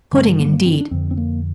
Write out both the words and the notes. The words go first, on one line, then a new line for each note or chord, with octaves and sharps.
Pudding, indeed!
G2 D3 G3
A#3
G3
A#3
C4
D4
F2 D3 C4
C4
A#3